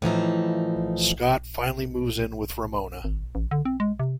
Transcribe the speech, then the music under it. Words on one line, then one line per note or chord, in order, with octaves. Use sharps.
Scott finally moves in with Ramona.
A2 E3 F3 D#4
G#1
A1
D3
C4
G#3
C3